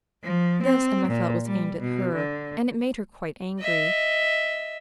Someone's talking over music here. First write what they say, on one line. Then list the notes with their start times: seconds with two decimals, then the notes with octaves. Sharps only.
This Emma felt was aimed at her; and it made her quite angry.
0.23 F3
0.63 C4
1.08 A#2
1.46 G3
1.80 B2
2.15 D3
3.59 D#5 E5